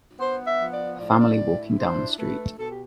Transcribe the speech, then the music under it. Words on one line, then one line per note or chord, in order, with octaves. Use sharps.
A family walking down the street.
B3 C5
E5
F3
D5
A2 D5
C5
D5
E4
D4 C5
A3 B4
B2 A4
G4